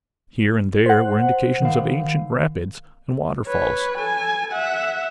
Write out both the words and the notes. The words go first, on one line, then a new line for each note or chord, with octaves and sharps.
Here and there were indications of ancient rapids and waterfalls.
C5 F#5
D#3 F5
B4 C#5
A4 G#5
E5 F#5